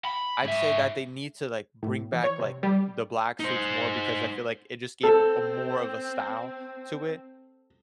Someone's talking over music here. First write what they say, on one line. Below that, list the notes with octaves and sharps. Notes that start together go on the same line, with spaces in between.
I'd say that they need to, like, bring back, like, the black suits more because I feel like it just gave a more of a style to it,
B5
G#2 E5
A2
E3
C#5
C3
G3
D#4 C5
C4 A4